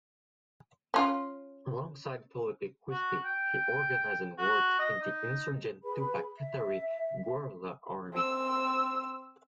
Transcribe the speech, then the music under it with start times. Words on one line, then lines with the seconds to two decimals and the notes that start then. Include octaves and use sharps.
Alongside Felipe Quispe, he organized and worked in the insurgent Tupac Katari Guerrilla Army.
0.94 C#4 F4
2.91 F#4
3.25 G5
4.38 F#4
4.79 D#5
5.01 D#4
5.84 G#4 B4 B5
6.39 E5
8.12 C4 E6